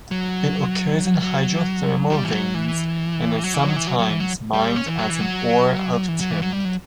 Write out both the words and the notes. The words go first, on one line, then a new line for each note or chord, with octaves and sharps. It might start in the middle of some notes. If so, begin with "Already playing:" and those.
It occurs in hydrothermal veins and is sometimes mined as an ore of tin.
F#3
F#3
G3
E3
F#3
E3
F#3
E3
F#3
E3
F#3
F#3
E3
F#3
G3
C#4
E3
F#3
E3
F#3
E3
F#3
E3
F#3
G3
F#3